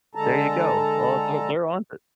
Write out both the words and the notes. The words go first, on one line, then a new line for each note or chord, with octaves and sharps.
There you go. Well, they're they're on it.
D3 G#3 A4 A5 A#5